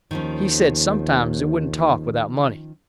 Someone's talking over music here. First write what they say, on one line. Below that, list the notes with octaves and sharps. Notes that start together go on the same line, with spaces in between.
He said sometimes it wouldn't talk without money.
D#2 D#3 F3 C#4